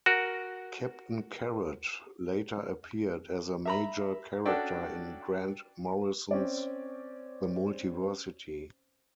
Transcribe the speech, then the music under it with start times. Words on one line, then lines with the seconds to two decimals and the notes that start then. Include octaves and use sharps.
Captain Carrot later appeared as a major character in Grant Morrison's "The Multiversity".
0.06 F#4 A#4
3.66 E5 A#5 B5
4.46 C#4 D4 F#4 A4 D5 G5
6.31 C4 C#4 D5